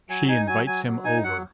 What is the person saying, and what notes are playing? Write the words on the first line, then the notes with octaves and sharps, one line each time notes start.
She invites him over.
F#3 G#5
D#4 G#5
F#3 G#5
F#3 G#5
F#3
D#4 G#5
F#3 F#5